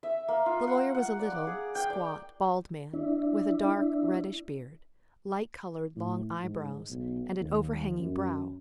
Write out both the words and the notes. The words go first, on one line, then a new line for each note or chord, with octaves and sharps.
The lawyer was a little, squat, bald man, with a dark, reddish beard, light-colored long eyebrows, and an overhanging brow.
E5
A#3
F4
F#5
F#5
D5
D6
G#4
G5
D5
D4 E4
A2
G#2
B1
D#2
F#2